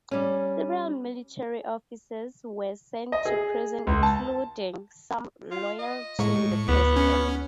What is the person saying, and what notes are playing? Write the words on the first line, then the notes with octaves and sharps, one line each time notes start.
Several military officers were sent to prison, including some loyal to the president.
G3 C#4
D#5
G#4
C#2
A5
F4
D#5
A2 G#3 C#6
D2 B3
C#4